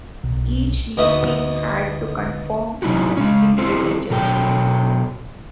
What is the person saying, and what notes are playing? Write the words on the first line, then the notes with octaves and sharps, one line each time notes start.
Each new king had to confirm the privileges.
B1
D2 B3 D#4 F#4 E5
C3 F#3 D#4 E4 F#4 G4
G#3 C#4
C4 E4 F4 A4 C5
B2 F#3 A4 G5